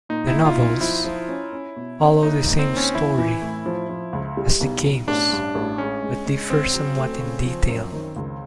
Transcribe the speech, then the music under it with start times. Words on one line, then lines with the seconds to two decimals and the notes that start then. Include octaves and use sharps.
The novels follow the same story as the games but differ somewhat in detail.
0.09 A#2 D#4
0.27 E4
0.34 A#2
0.45 F4
0.57 B1
0.63 F4
0.81 F3 E4
1.05 F3
1.28 C#4
1.52 C#4
1.76 B2
2.00 C#4
2.23 D#2 D#4
2.47 D#2
2.59 C4
2.71 D#2
2.77 C#4
2.95 E3 E4
3.18 E3
3.42 A2
3.66 F3
3.89 F3
4.13 C#2
4.37 G3
4.60 B1
4.84 B1
5.08 A1 D4
5.32 G2
5.55 A1
5.78 G#3 C#4
6.02 G#3
6.26 G#3
6.50 C#3 C4
6.73 F#3
6.97 A3
7.21 C#3
7.45 F3
7.69 F#2
7.92 D#3
8.16 C#2